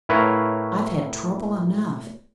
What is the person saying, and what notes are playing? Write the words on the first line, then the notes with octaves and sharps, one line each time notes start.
I've had trouble enough.
A2 E4 A#4 B4 C#5 F5